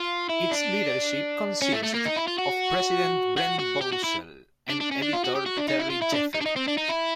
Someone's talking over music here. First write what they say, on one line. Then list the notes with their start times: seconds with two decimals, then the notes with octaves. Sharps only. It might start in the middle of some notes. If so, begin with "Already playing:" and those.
Its leadership consists of president Brent Bozell and editor Terry Jeffrey.
Already playing: F4
0.29 E4
0.52 D4
1.62 C#4
1.73 A3
1.83 A3
1.94 A#3
2.06 D#4
2.17 E4
2.28 F4
2.39 F#4
3.38 F#4
3.60 F#4
3.81 G4
3.93 F#4
4.04 E4
4.70 D4
4.81 D4
4.92 C#4
5.02 D4
5.13 F4
5.24 F#4
5.35 G4
5.46 F#4
5.58 D4
5.69 D#4
5.80 E4
5.90 F4
6.02 E4
6.12 D4
6.34 D#4
6.41 D4
6.46 D#4
6.56 C4
6.68 D4
6.78 D#4
6.89 E4